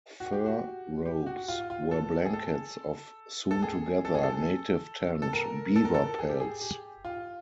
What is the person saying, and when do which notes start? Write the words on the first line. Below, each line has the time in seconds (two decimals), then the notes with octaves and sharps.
Fur robes were blankets of sewn-together, native-tanned, beaver pelts.
0.20 F#4
0.33 G4
0.46 F#4
1.06 G4
1.26 F#4
1.48 F4
1.70 F4
1.91 A4
2.25 G#4
2.33 A4
3.51 A4
3.63 G#4
4.05 A4
4.14 G#4
4.23 A4
5.22 A4
5.33 A#4
5.76 A4
5.85 A#4
5.94 A4
6.19 G#4
6.29 G4
6.40 G#4
6.61 G4
7.05 F4